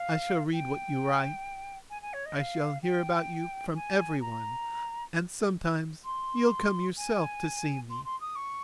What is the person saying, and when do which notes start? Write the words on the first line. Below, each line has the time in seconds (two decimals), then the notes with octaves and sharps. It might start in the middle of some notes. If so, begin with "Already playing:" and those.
I shall read what you write, I shall hear about you from everyone, and sometimes you'll come yourself to see me.
Already playing: F5
0.53 G5
1.90 G#5
2.02 G#5
2.13 C#5
2.25 D#5
2.36 F5
2.82 G5
3.75 G#5
4.21 A#5
6.04 C6
6.97 G#5
7.89 C6
8.05 C6
8.20 D#6
8.36 C#6